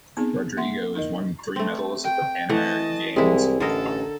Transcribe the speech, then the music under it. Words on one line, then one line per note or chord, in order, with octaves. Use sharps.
Rodrigo has won three medals at the Pan American Games.
B3 C4 D#4 G#4
A#3 E5 F#5 C6
D#4 A#4 D#5
A3 C4
G5
E3 A3 D#5 F#5 A5
C2 G#3 E4
A1 D3 A4 A#4 D#5